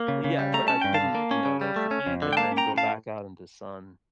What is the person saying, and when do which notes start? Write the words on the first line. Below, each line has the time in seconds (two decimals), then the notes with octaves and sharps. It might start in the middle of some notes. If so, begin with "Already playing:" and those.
yeah, but I couldn't, you know, like, to eat and then go back out into sun.
Already playing: A#3
0.08 C#3
0.24 C#3
0.39 G3
0.54 A3 A#5
0.68 C#4 A5
0.81 G2 G5
0.94 F5 A5
1.00 D3
1.15 A#3
1.31 C#4
1.45 C#3
1.61 G3
1.76 A3
1.91 C#4
2.07 F2
2.22 D3
2.33 G5
2.37 A#3 F5 A5
2.52 C#4
2.57 G5 A#5
2.67 A2
2.78 F5 A5